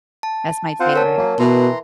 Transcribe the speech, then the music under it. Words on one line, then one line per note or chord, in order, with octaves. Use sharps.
That's my favorite.
A5
C4 F4 C5 F#5
C#4 A#4 A5
F#3 A#3
B2 E3 A#5 C6